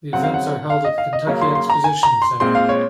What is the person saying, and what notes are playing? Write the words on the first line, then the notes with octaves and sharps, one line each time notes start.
The events are held at the Kentucky Exposition Center.
C#3 F#3 C4 F#5
F5
F#5
F5
D#5
F5
D#5
C#3 F#3 A#3 C#4
C6
C6
A#5
G#5
A#5
C6
A#2 G#3 C4 C6
F5
C#5